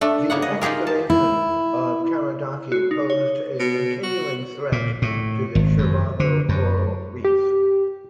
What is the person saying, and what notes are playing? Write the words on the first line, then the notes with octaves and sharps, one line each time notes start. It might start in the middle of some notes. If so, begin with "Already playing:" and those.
The excavation of Karadake posed a continuing threat to the Shiraho coral reef.
A3 D4
C#3 A#3 B3 F#5
D#5
D#4 F4 G4 G#4 A#4
A5
E4
F#4
D#4
C#5
B2
F#4
A#2
A2
G#1
F#2
D3
F#2
G4